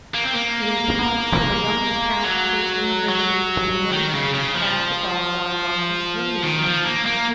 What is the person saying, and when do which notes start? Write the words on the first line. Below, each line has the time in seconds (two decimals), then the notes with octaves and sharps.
It is home to the Youngstown State University Penguins basketball, volleyball, and swimming teams.
0.15 A#3
0.24 C4
0.35 A#3
2.25 F#3
3.09 F#3
3.92 D#3
4.13 C#3
4.34 C#3
4.54 F3
6.43 D#3
6.65 F3
6.85 A#3
7.06 A#3